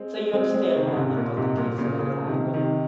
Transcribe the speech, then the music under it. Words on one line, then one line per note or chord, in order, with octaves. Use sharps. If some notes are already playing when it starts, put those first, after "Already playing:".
So you understand what I meant about the pizza yeah, I would
Already playing: G#3 C4
G#3 C4
G#3 C4
C3 D#3
C#3
G#2 C3
A#2
G#2 C3
A#2
A#2 C#3
A#2 C#3
C3 D#3
C3 D#3